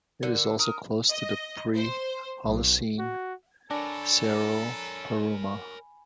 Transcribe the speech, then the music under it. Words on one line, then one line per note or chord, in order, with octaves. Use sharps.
It is also close to the pre-Holocene Cerro Paruma.
D3 A#4
A#4 D#6
D#5
C5
B1
F#4
D4 A4 A#4 C#5 G#5 B5